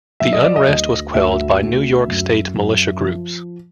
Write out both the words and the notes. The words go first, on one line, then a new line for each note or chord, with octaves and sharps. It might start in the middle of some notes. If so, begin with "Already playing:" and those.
The unrest was quelled by New York State militia groups.
F#3 E5
D#5
D5
D#5
D2
D2 E5
D2
F#2
F#2
F3